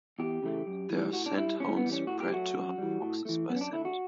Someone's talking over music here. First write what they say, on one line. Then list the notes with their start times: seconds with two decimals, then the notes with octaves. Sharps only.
They are scent hounds, bred to hunt foxes by scent.
0.19 E2 G4
0.42 C#3 E3 A3
0.67 F#2
0.90 E3 G3
1.13 A2 F#4
1.26 D4
1.37 G3 E4
1.60 A2 C#4
1.77 B3
1.84 E3 G3
1.92 C#4
2.07 A2 F#4
2.20 G4
2.31 F#3 A3 F#4
2.54 F#2
2.78 E3 G3
3.02 A2
3.25 E3 A3
3.49 F#2 B3
3.56 C#4
3.61 D4
3.72 D3 A3 E4
3.85 F#4